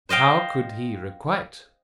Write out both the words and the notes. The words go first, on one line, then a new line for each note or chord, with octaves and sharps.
How could he requite!
C5 D#5 F5 G5